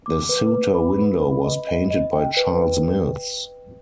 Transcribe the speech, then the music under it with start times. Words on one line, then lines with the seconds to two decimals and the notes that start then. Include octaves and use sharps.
The suter window was painted by Charles Mills.
0.06 D6
0.29 B4
0.52 B4
0.75 B5
0.98 B4
1.21 B5
1.44 D#5
1.67 D#5
1.90 D#5
2.13 G5
2.37 B4